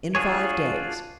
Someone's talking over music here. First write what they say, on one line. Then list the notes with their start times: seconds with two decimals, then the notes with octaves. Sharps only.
"In five days."
0.15 D4 F4 F#4 G#4 C#5